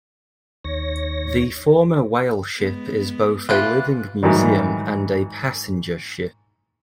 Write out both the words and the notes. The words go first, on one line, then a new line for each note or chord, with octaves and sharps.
The former whale ship is both a living museum and a passenger ship.
D#2 C#5 A#6
G#3 B3
E3 F4 G4 F#6
G#2 D#3 E3 F#3 G3